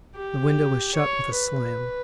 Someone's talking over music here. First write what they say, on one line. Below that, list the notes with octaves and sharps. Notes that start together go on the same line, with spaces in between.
The window was shut with a slam.
G4
C#5
B4